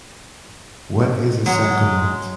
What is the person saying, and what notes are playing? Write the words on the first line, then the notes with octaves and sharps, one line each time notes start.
What is a sacrament?
F#3 G#3